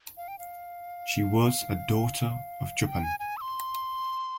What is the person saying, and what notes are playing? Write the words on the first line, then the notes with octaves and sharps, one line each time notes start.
She was a daughter of Chupan.
F5
G5
F5
G5
G#5
G#5
E6
C6